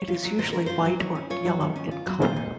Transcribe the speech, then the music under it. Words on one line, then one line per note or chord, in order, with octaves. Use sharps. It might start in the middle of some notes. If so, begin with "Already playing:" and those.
It is usually white or yellow in colour.
Already playing: C#5
F4
F#3
D#3 C5
C#4 A#4
F4 C5
F#3
D#3 C#5
C#4
F4 C#5
F#3
D#3
C#4
F4
F#3
A#2 C5
D#4